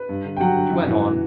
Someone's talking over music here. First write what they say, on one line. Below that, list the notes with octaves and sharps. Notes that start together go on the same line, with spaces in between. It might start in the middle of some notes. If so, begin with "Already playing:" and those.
She went on.
Already playing: B4
G2
D3
G5
F#3 F#4 F#5
D3
F#2
E3